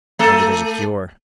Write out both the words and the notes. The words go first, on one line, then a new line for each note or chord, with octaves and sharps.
Maybe there's a cure.
A3 A4